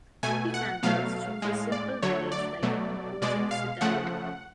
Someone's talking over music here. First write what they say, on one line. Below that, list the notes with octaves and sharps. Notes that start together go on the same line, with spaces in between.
He can thus choose a simple village like an imposing citadel.
B2 A3 G#5
F#5
B2 F#3 A3 F5
A2 G#3
D5
D3 F#3 A3 C#5
D5
B2 F#3 A3
B2 G#3 D5
F5
C#3 F3 A3 F#5